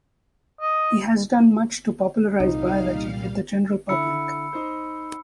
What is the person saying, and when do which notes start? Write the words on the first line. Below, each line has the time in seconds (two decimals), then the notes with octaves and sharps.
He has done much to popularise biology with the general public.
0.61 D#5
2.40 C2 A#2 G3 D#4 F5
3.89 D3 E4 B5 E6 C#7
4.53 D#4 C5